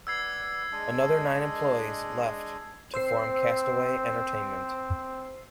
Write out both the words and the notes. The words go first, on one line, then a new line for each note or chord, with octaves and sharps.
Another nine employees left to form Castaway Entertainment.
B4 D5 F#5 E6 G#6 C7
G#3 D4 D#5
C4 C5 E6 C7